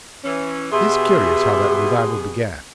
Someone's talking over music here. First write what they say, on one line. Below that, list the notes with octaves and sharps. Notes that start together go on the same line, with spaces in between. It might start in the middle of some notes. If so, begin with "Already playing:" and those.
It is curious how that revival began.
E3 C#4
B2 G4 G#4 E5 C6